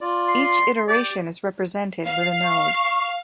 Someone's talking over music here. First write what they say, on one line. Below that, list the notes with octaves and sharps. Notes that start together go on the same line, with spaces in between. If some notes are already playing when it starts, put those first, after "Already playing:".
Each iteration is represented with a node.
F4 D5
C6
G4 D5
F5
C#6